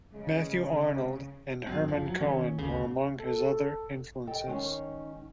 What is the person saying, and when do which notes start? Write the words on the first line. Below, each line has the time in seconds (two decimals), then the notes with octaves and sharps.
Matthew Arnold and Hermann Cohen were among his other influences.
0.13 C#3 G#3
1.67 G#2 F#3 C4
1.88 F#1 F3
2.06 F#3
2.21 D#3 C#4
2.58 G1 D2 C#3
3.19 A4
4.27 G4 A4 D#5 G5
4.46 D#3 G#3 C#4 D#4